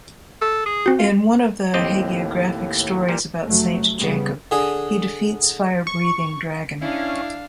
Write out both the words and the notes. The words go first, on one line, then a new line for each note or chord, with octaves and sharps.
In one of the hagiographic stories about Saint Jacob he defeats fire-breathing dragon.
A4
G#4
C4 F#4
F4
D#2 A2 C4 G4 D#5
A#2 G3
F1 F#3 A3
C#3 G3 B3
D3 G#4
C#6
C#4 D4 E4 F5